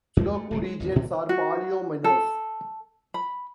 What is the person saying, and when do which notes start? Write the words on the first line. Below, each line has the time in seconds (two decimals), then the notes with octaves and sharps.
Sudoku regions are polyominoes.
0.17 E2 G2 G#3
0.33 A3
0.51 D1 C2 C#3
0.64 G#3
0.80 G1 E2
0.95 G2 A#2 D3 F#3
1.29 F#4
2.04 A4
3.14 B5